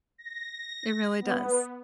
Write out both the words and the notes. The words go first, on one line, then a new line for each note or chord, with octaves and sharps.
It really does,
A#6
B3